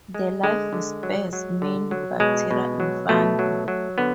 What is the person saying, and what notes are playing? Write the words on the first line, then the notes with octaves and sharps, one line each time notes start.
The life is sparse, mainly bacteria and fungi.
G#3
D3 G#3
D3
F#3
F#3
D3
F#3
B2 G#3
B2
F#3
B2 A3
F#3
F#3
D3 B3